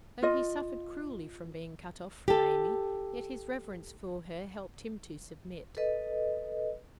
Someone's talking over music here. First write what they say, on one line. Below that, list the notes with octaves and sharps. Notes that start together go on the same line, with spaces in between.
Though he suffered cruelly from being cut off from Amy, yet his reverence for her helped him to submit.
F4 D#5
G4 A4
A4 B4 D#5